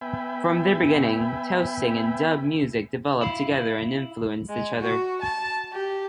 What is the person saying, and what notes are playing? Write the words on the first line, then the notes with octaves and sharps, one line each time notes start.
From their beginning, toasting and dub music developed together and influenced each other.
B3 E5 G5 G#5 B5
E4 F5
G#3
F#4
A5
G4